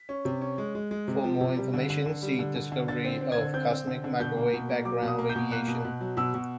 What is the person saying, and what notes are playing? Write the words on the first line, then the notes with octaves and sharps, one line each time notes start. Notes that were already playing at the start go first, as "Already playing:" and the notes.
For more information, see "Discovery of cosmic microwave background radiation".
Already playing: B6
C#4
C3
C#4
G#3
G#3
G#3
C3
F3
C3
G3
D3
D3
D3
G3
D3
D3
D3
D3 A6
C4
C4
G#6
D3
C4 G6
C4
D3
D3
B2 G6
A#3
B2
A#3
F#3 D6
B2
D#6
A#3
G6
B2
A#3 F#6
B2
B2
F#3
B2 E6
B2